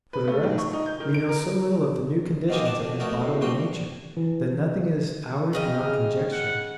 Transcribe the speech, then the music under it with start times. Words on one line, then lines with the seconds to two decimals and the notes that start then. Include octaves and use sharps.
For the rest, we know so little of the new conditions of his bodily nature, that nothing is ours beyond conjecture.
0.13 B4
0.28 A3
0.43 G#2
0.58 C#6
0.73 D#4
0.86 G6
1.00 D#3
1.14 D7
1.29 A#4
2.49 B2 D#3 F4 G4 G#4
2.65 D5 F#5 A5
2.80 F2
3.00 A3 B3 F#4 A#4 C#5
3.20 B1 A2
3.41 A#2 F3 G3 F#4 G5 C6
4.17 E3
5.53 C#3 D#5 G5 F6
6.32 F#5